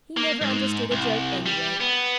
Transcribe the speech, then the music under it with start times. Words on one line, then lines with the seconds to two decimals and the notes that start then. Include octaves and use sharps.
He never understood a joke anyway.
0.17 A#3
0.42 G#2
0.91 C2
1.46 G3
1.81 B3